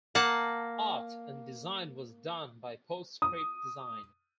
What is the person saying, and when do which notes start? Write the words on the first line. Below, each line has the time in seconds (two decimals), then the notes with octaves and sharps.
Art and design was done by PostScript Design.
0.15 A#3 F#5 A5
3.22 D#6